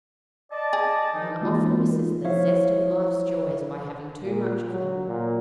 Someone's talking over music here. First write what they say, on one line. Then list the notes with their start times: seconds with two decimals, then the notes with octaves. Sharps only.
One often misses the zest of life's joys by having too much of them.
0.52 D5 D#5 A5
0.73 G#4
1.13 D#3 F3 D#4
1.41 E3 G#3 A#3 D#4 F4 F#4
2.24 F3 E4 C5 C#5 E5 F5
4.23 A#2
4.67 F#3
5.07 A#2